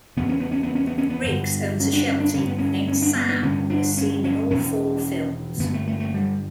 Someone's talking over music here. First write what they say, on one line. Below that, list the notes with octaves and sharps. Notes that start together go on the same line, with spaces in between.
Riggs owns a Sheltie named Sam who is seen in all four films.
E2 C#3 B3
C#4
B3
C#4
B3
C#4
B3
C#4
B3
G2 D3
C#4
D4
C#4
D4
G2 D3 C#4
B3
C#4
C#4
D4
B3
B3
G2 D3 C#4
D4
C#4
C#4
E2 B2 C#4
G2 D3 B3
A3
A3
A3
G3